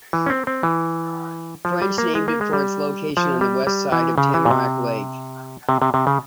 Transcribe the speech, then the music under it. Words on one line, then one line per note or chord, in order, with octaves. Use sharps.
French named it for its location on the west side of Tamarack Lake.
E3
C#4
C4
C4
E3
F3
G3
A#3
G#3
A#3
G#3
G3
F3
G3
G3
E3
C#3
E3
A#2
C3
C3
C3
C3
C#3